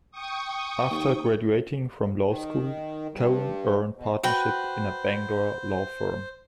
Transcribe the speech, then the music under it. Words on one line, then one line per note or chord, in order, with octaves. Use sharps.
After graduating from law school, Cohen earned partnership in a Bangor law firm.
G5 C#6 D#6
D#2
D#3
G2
B2
F#4 B4 C5 G5